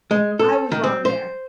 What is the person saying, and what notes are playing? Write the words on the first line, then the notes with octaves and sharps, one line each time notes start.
I was wrong there.
G#3
A4
D#3
C4
C5